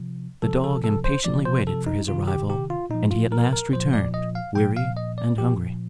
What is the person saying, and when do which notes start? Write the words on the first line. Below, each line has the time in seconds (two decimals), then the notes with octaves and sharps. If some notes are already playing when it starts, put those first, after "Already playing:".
The dog impatiently waited for his arrival, and he at last returned, weary and hungry.
Already playing: C3 F3
0.42 C3 F3 A4
0.64 A4
0.84 A4
1.04 C5
1.25 C3 F3 D5
1.45 C5
1.67 A4
1.86 D#4
2.08 C3 D#3 F4
2.28 G4
2.50 G4
2.70 F4
2.90 A#2 F3 D#4
3.11 F4
3.32 A#4
3.53 A#4
3.73 A#2 F3 C5
3.93 D5
4.14 D#5
4.35 F5
4.55 A#2 F3 G5
4.77 F5
4.97 D#5
5.18 D5
5.38 A#2 F3 G4